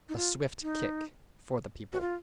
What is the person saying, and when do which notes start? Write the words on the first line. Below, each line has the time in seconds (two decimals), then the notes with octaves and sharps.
A swift kick for the people.
0.09 D#4
0.16 F4
0.62 D#4
1.93 F#4
2.01 F4